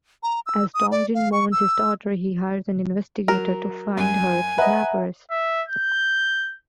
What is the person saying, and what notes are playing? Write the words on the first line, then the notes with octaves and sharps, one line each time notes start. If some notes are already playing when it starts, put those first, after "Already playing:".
As Dong-jin mourns his daughter, he hires an investigator to find her kidnappers.
A#5
E6
D#6
D5
F5
C#6
E6
F#3 A#4
F#2 G#5
B4 D#5 E5 F#5 A#5
E5
G6